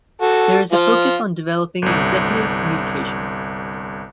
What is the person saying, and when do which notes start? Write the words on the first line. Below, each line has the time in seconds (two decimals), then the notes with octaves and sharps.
There is a focus on developing executive communication.
0.22 F#4 A4
0.72 F3 F4
1.82 G1 C2